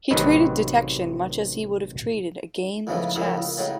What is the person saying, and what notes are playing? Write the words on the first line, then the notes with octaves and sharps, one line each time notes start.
He treated detection much as he would have treated a game of chess.
A1 C3 D#3 F#3 B4 D#5
F2 G#2 C#3 E3 G#3 A3
F#2 A2 C#3 F3 E4
C#2
A2 C#3 F#3 G#3